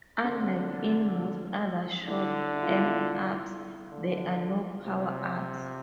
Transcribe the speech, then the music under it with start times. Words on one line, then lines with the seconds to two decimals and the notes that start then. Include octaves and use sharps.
Unlike in most other shoot 'em ups, there are no power-ups.
0.23 D3 C4
2.08 D3 E4
2.54 E4
2.62 F4
2.70 E4
2.78 F4
2.85 E4
3.00 F4
3.92 D3
4.85 C3